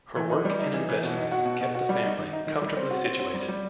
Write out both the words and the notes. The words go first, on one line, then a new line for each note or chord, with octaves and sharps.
Her work and investments kept the family comfortably situated.
E3
D#4
G3
D#4
E3
E3
B2
D#4
F#4
B2
B2
F#4
G3
D#4
D#3
D#4
D#3
G3
C4
F#4
C4
C4
G3
G3